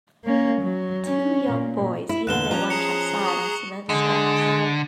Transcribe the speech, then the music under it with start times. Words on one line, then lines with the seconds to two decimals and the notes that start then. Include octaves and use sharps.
Two young boys eating their lunch outside on cement steps.
0.24 A#3 C#4
0.61 F#3
1.05 C#4
1.48 A#2
2.09 E4
2.27 E2 A#2 D3 F#6 E7 G7
2.51 F3 C#4 A#5
2.70 G#4 A#5 C#7
3.26 C#6 D#6
3.89 D3 G#3